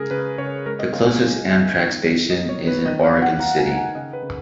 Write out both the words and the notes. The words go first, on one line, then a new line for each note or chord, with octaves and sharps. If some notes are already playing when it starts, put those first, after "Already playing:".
The closest Amtrak station is in Oregon City.
Already playing: C#3 G#3 G#4 A#4
C#3 B4
C#3 C#5
G#3 A#4
D#5
C#3 F5
G#5
G#3 F5
G#3
D#3
A#3
A#3 D#5
C#5
D#3
B4
D#3 D#5
F5
D#3
F#5
A#3 A#5
G#5
D#3
G#5
C#3 D#5
B4
C#3